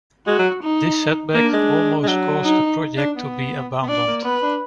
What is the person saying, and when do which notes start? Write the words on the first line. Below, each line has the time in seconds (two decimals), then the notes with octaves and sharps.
This setback almost caused the project to be abandoned.
0.26 G#3 F#4
0.39 F#3
0.62 D#4
1.34 A#3 D4
1.53 G#3
2.03 G#3
2.08 F#3
2.44 D#4
2.97 D4
3.16 B3
3.83 B3
3.88 D4 D5
4.07 A#3
4.24 B3 B4
4.43 D4